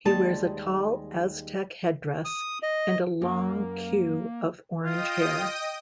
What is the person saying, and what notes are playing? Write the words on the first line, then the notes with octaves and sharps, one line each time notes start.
He wears a tall Aztec headdress and a long queue of orange hair.
D#2 G3 G#3 A5
D#6
D#5
F#2 A#3
F4 D#5 G5 D#6